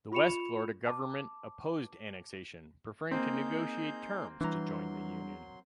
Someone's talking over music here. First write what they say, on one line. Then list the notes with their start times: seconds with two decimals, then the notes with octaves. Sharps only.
The West Florida government opposed annexation, preferring to negotiate terms to join the Union.
0.12 F4 B5 C#6 C#7 E7 F7
0.87 A5 D6
3.11 A#3 C4 D#4 G#4 G6
4.41 E3 F#3 G3 D4 A#5 C6